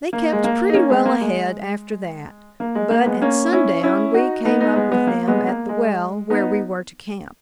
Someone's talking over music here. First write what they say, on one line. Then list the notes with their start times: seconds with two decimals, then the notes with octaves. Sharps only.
They kept pretty well ahead after that, but at sundown we came up with them at the well where we were to camp.
0.13 A#3
0.33 G#3
0.44 A#3
0.69 D#4
0.74 A#3 C#4
0.90 G#3 B3
1.05 A#3
1.21 G#3
2.60 A#3
2.75 G#3
2.91 A#3
3.06 G#3 B3
3.21 A#3 C#4
3.52 C#4 E4
3.83 C#4 E4
4.14 D#4 F#4
4.45 B3 D#4
4.60 B3 D#4
4.76 G#3 B3
4.92 G#3 B3
5.07 A#3
5.27 G#3 B3
5.48 A#3
5.69 G#3
6.30 B3 D#4